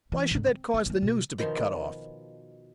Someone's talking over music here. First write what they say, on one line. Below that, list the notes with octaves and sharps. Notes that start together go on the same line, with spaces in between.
Why should that cause the news to be cut off?
E3
G#2 D3
C4
D#4
D#3 A3
B2
B2 D#3 F3 C6